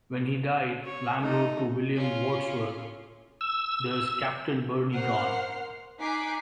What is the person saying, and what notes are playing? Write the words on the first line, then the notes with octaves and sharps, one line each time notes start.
When he died, Lamb wrote to William Wordsworth: There's Captain Burney gone!
C#5
A3 D#4
C#4 F4
E6
A#4 C5 F#5 F6 C7
D#4 G#5 D6 F#6 B6 C7